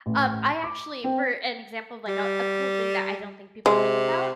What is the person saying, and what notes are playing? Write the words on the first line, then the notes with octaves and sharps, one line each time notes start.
Um, I actually for an example of, like, a a cool thing that I don't think people think about,
A1
D6
C4
G3
C3 G#3